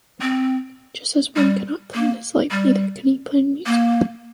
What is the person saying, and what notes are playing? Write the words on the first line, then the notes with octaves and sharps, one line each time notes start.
Just as one cannot plan his life, neither can he plan music.
C4
G3
A#3
G3
A#3